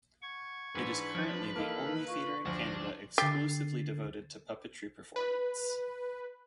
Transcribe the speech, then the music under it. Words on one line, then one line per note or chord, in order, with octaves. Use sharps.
It is currently the only theatre in Canada exclusively devoted to puppetry performance.
F#5 C#6 G#6
G#2 E3 D4 B4
F3
E3 A#3 D#4 A4 F5
F4 C#6
D2 F3 D4 A#6
D3 G4 A6 C7
B4